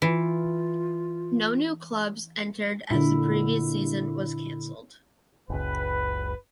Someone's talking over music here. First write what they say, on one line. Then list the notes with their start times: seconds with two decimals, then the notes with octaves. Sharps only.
No new clubs entered as the previous season was cancelled.
0.02 E3 F4
2.91 A#2 D3 E4
5.50 F#1 C#2 B4